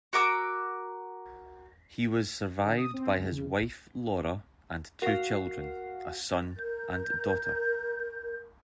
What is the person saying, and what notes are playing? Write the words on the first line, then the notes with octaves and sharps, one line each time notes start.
He was survived by his wife, Laura, and two children, a son and daughter.
F#4 A#4 D6 E6
D3
D#6
C4
C#2
C#3
F#4 A#4 F5 C7
A#4 G6